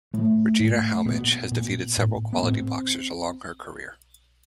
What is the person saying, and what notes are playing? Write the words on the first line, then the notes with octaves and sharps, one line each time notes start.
Regina Halmich has defeated several quality boxers along her career.
A2 A3
A2
A#2 B3
A#2
A2
B3
A2 C4